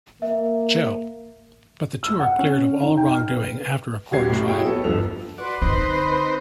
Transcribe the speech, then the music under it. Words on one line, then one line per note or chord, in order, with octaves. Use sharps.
Joe, but the two are cleared of all wrongdoing after a court trial.
A#3 E5
E6
F#5
C#4
D#4
G5
F6
B4
D#1 F#4 G4 G#6 C7
B1 A2
E4 F#4 G#4 C#5 G5
F#3 B3 A4
G1 D3 F3 E6 F7
F#4 B4 D5 C6
D3 C4 D#4 C5